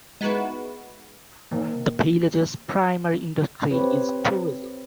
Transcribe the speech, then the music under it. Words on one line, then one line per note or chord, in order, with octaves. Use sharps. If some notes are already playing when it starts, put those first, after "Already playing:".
The village's primary industry is tourism.
G#3 B3 D#4 E4 F#4 B4
D#3 A#3
C4 F4 G4 B4 C#5